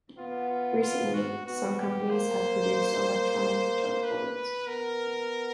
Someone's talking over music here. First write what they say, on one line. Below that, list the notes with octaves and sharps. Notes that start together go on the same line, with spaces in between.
Recently, some companies have produced electronic dartboards.
B3 F4
F4
F4
F#4
B3 F#4
G4
A#3 C5
B4
B3 A#4